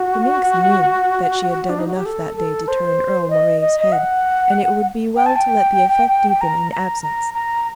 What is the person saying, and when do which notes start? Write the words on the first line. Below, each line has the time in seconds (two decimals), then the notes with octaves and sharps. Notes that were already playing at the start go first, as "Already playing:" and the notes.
The minx knew that she had done enough that day to turn Earle Moray's head, and it would be well to let the effect deepen in absence.
Already playing: F#4
1.69 D4
1.79 D#4
1.87 F#4
1.97 G4
2.06 A4
2.37 A4
2.68 C5
3.30 D#5
3.61 D#5
3.80 D#5
3.92 F#5
5.16 G5
5.26 A5
5.36 G5
6.41 A#5
6.72 A#5
7.03 A#5
7.34 A#5